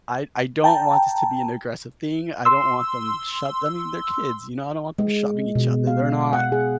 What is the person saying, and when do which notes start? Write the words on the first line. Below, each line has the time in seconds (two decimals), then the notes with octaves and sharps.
I I don't want this to be an aggressive thing, I don't want them shove I mean, they're kids, you know, I don't want them shoving each other. They're not
0.64 G5 A5 A#5
2.45 C6 E6
4.99 G#3
5.55 B2
5.87 F5
6.33 F#5
6.52 G#4